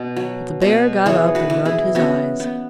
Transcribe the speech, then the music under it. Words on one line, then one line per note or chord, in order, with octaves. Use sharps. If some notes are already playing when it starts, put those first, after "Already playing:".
But the Bear got up and rubbed his eyes.
Already playing: B2
F#3
B2
E3 G#4 C#5
F#4 B4
E3
E4 G#4
B3 C#4 F#4
B3